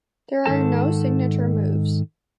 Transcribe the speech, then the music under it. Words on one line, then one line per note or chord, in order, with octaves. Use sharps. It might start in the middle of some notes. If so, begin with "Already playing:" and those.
There are no signature moves.
G#2 D#3 B3 A4 A5